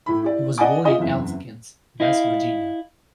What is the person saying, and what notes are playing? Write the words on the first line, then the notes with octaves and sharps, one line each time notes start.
He was born in Elkins, West Virginia.
A2 E4 B5
E4 G4 D5
D5 D#5 F#5 G#5 A5 D6
F4 G4 G#4 D#5 E5
F#1 E2 C4 E5
E4 D#5 F5